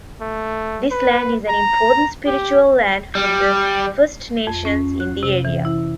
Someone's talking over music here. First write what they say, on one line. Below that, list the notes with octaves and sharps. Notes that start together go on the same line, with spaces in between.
This land is an important spiritual land for the First Nations in the area.
A3
B4
A#5
G4
G3
F2
C#4
F#6
C3
E3
E4